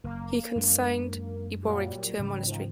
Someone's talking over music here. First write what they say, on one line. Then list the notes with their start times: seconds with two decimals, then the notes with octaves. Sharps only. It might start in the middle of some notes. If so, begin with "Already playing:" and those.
He consigned Eboric to a monastery.
0.04 F#1 A#3
0.56 F#2 G#3 D4
1.63 A#2 F#3 G3
2.19 G#2 C#3 E3 G3
2.45 D#3 F3